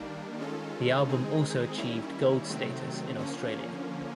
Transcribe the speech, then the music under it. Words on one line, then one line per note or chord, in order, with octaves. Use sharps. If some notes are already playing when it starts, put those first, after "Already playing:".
The album also achieved gold status in Australia.
Already playing: D#3 G3 A#3 D4
D#3 G#3 C#4 F4 A4
D#3 G#3 C4 D#4 G#4
D#3 G3 A#3 C#4 E4
C3 D#3 F#3 A3 C4
D3 F3 A#3 C#4